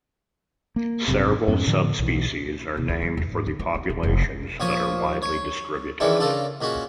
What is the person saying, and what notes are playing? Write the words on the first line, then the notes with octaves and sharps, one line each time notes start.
Several subspecies are named for the populations that are widely distributed.
A#3
G#1 F#2 C3
F2 G#2 B3 C#4
A2 D3 F3
B1 E3
C3
D2
G3
E2
G#2
D3
B3
D#4
D#1
F1
A#2 F3 C#5 C#6 D#6
C#5
D#3 E3 G#3 C#4 D4 E4
C#3 D4 F4 A4 A#4
A#2 G#3 C#4 F#4